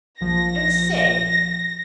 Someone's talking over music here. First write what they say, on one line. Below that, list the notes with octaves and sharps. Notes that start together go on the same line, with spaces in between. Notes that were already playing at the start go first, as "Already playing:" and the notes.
And say!
A#1 F3 A#6